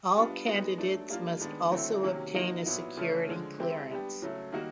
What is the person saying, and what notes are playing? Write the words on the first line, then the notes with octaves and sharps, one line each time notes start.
All candidates must also obtain a security clearance.
G3 B3 D4 F4
G#3 B3 D#4 F#4
F#3 A3 D4
G3 A#3 D4 F4
D#3 G#3 B3 D4
D3 F#3 A3 C4 E4
C3 D#3 F#3 A#3 C#4
F3 A#3 D#4 F#4
A#2 F#3 B3 E4
C#3 F3 A3 C#4
D3 F3 G#3
G#3 C4 E4 G4
G3 B3 D4 G4
C#3 F#3 A3
D#3 G3 A#3 D#4 F#4